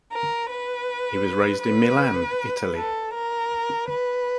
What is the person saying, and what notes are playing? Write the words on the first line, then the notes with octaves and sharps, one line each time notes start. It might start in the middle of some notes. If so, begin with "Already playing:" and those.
He was raised in Milan, Italy.
A#4
B4
B4
A4
A#4
B4